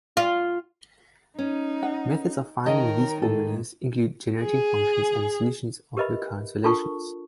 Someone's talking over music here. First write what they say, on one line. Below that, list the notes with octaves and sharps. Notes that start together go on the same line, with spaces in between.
Methods of finding these formulas include generating functions and the solution of recurrence relations.
F4
C#4 D#4
F#5
D#3 A#4 C#5 D#5 A5
G#2 A4
G#4
G4 A#4 B4 D#5 E5 B5
D4 F4 A4 A#4 A5 C#6